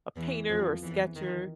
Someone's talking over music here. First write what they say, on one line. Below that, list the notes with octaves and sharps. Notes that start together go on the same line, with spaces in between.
a painter or sketcher,
E2 E3
F2 F3
E2 E3
D#3